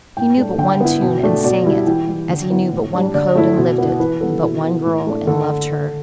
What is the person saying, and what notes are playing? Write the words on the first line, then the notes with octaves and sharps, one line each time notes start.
He knew but one tune and sang it, as he knew but one code and lived it, and but one girl and loved her.
A2 G5
A3 D4
D3 G5
B3 E4
B2
A3 D4
B2 D5
G3 E4
E3 G5
G3 E4
D3
B3 E4
A2
G3 D4
D3 D5
A3 E4
B2
B3 E4
E3 B4
G3 B3 A4
B2 E4
B3 E4
A2
A3 D4
D3 A4